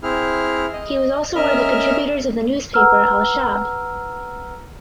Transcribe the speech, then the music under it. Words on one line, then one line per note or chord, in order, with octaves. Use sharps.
He was also one of the contributors of the newspaper "Al Shaab".
C4 E4 G#4 F6
D#5
C#4 A#4 D#5 E5 F6
B4 F#5 A#5 E6 F6